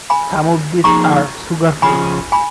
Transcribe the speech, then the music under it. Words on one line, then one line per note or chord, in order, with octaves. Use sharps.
Some of these are sugar free.
G#5 B5
F3 A#3 D#4 G#4 A#5 C#6
C#3 F3 C#4 G#4 G#5 B5
G#5 B5